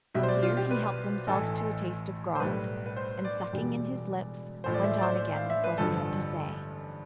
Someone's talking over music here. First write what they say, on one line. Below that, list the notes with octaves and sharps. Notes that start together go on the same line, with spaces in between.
Here he helped himself to a taste of grog, and sucking in his lips, went on again with what he had to say.
B1 B2 G3 E5
C5
D5
F4
G4
B4
A1 A2 E3 A4
C5
B1 A2 G3 B4
B4
C5
D5
E1 E2 B2 G3
A1 A2 F3 C5
D5
E5
D5
C5
F5
E5
B4
A1 G2 D3 F3 A4